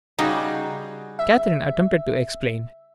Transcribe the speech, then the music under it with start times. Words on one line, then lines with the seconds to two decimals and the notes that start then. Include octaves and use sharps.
Catherine attempted to explain.
0.19 C#3 G3 D#4 F#4 G#4
1.19 E5